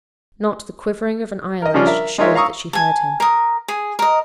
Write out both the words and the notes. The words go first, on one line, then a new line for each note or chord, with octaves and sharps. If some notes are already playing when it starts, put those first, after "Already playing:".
Not the quivering of an eyelash showed that she heard him.
A#4 D#5
C#3 F3 G3 C#4 D4 F4
A#4 E5
G#3 D#4 F4 A#4 C#5 E5
F5 A#5 C#6 D#6 E6
G#5 A5
A#4 D#6
G#4
A#4 D#5